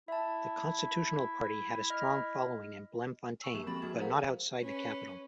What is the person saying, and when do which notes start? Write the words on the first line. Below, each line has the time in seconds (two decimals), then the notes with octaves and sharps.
The Constitutional Party had a strong following in Bloemfontein, but not outside the capital.
0.08 E4 E5 A5
1.90 D#5 F6
3.42 G#5 C#6 E6
3.54 F3 A#3 G4 E7
3.66 G#3 C4 A4 B5 A6 F#7
3.81 F3 A#3 F#4 G#6 E7
4.00 G#4 A#4 C5 F5 F#5 A#5
4.61 C#4 B4